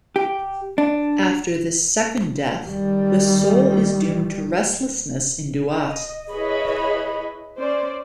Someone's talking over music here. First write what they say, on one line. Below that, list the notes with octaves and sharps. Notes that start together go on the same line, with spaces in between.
After this "second death", the soul is doomed to restlessness in Duat.
G4
D4
D#3 G3
D#5
E4 G#4 B4 C#5 D#5 B5
C#4 C5 D5